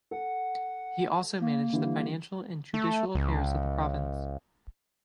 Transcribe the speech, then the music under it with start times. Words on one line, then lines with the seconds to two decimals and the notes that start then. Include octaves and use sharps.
He also managed the financial and judicial affairs of the province.
0.11 A4 F#5
1.41 A#3
1.73 D3 E3 G3
2.74 A3
3.15 C#2